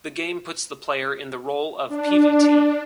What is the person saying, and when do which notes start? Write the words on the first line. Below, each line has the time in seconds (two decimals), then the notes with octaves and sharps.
The game puts the player in the role of Pvt.
1.89 D4